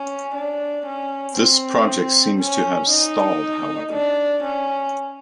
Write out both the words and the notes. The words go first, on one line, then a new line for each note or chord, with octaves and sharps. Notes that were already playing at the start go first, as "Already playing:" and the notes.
This project seems to have stalled however.
Already playing: C#4
D4
C#4
C4
C#4
D#4
D4
C#4